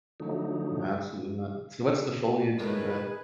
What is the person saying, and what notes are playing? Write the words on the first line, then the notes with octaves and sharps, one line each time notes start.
Absolutely not. So, what's the foliage and the
D3 F3 F#3 A3 D#4
A2 D3 D#3 G#3 G#4 B4